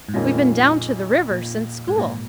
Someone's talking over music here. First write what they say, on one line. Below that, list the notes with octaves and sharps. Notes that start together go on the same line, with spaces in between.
"We've been down to the river since school."
G#2
F2 A#2 D#3 G#3 C#4 F4
A#2
G#2
A#2